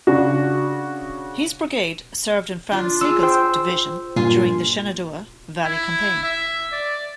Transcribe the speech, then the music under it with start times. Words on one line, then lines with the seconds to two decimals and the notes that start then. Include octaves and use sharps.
His brigade served in Franz Sigel's division during the Shenandoah Valley Campaign.
0.07 C#3 D4 F#4
2.72 D4 F4
3.01 F4 G#4 E6
3.23 C5 G5 E6
4.16 G2 A#2 F4 G#5 C6
5.65 E4
6.23 E5
6.72 D5